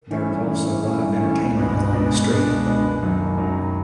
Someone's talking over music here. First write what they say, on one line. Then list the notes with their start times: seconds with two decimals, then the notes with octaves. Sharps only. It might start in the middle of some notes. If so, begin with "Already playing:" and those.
There is also live entertainment along the street.
0.11 E3 A3 C#4 E4
0.30 G2
0.47 E3 A3 C#4 E4
0.65 G2
0.84 E3 A3 C#4 E4
1.02 G2
1.20 E3 A3 C#4 E4
1.38 C#2
1.57 B2 G#3 B3 D4
1.75 C#2
1.93 B2 G#3 B3 D4
2.12 C#2
2.29 B2 G#3 B3 D4
2.48 C#2
2.66 B2 G#3 B3 D4
2.84 F#1
3.02 F#2 D#3 F#3
3.21 F#1
3.38 F#2 D#3 F#3
3.57 F#1